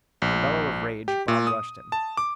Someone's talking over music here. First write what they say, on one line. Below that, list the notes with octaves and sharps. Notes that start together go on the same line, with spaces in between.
With a bellow of rage, Bob rushed him.
A#1
G4
A#2
D#6
A5
D6